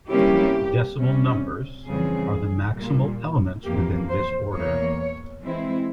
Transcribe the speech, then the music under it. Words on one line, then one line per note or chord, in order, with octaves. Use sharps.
The infinite decimal numbers are the maximal elements within this order.
C3 G3 A#3 C#4 E4 G4
C3 G3 C#4
F2 C#3 E3 G3 C4 G#4
A#2 G3 A#3
F2 E3 A#3 G4
C5
E2 E3 A#3 C#5
E3 G#3 C4 E4